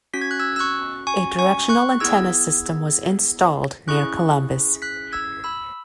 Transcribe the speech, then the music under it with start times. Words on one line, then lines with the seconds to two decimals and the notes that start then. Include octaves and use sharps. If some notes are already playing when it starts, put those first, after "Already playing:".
A directional antenna system was installed near Columbus.
0.13 C#4 F#4 B6
0.21 G#6
0.31 F#6
0.40 E6 G#6
0.56 E6
0.59 C#6 F#6
1.07 G#5 C#6
1.39 G#5 C#6
1.69 C#6 F#6
2.00 B3 E4 G#4 E6 G#6
3.88 C#4 E4 G#4 C#6 F#6
4.82 F#6 B6
5.12 E6 G#6
5.44 B5 E6